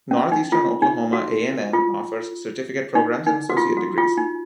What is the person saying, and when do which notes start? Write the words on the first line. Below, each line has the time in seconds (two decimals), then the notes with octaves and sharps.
Northeastern Oklahoma A and M offers certificate programs and associate degrees.
0.11 C#4
0.32 D#4
0.52 F4
0.82 D#4
1.13 F#4
1.73 F4
2.95 D#4
3.26 D#4
3.50 F#4
3.57 F4
3.77 F#4
3.98 F4
4.17 D#4